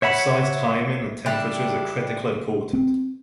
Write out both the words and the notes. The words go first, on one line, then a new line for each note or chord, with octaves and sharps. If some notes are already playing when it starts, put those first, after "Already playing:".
Precise timing and temperatures are critically important.
C#5 E5 F#5 B5
G3 D4 E4
C4